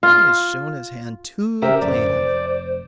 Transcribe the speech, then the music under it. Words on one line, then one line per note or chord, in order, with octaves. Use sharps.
He has shown his hand too plainly.
F4
C#3 G4 A#4 C5 E5
D1 F#2 D5
F1